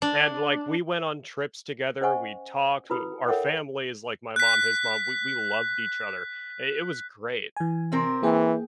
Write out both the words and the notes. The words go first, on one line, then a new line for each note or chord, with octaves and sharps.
And, like, we went on trips together, we talked, w our family is like my mom, his mom- we we loved each other. I It was great.
D4
C#4 C5 D#5 F#5 G#5 C#6
E4 F#4 B4 B5 D#6
A4 A#4 C#5 E5 F#5 G5
F#6 B6
E3 G#5
C3 C4 A#4
E3 A#3 G#4 G5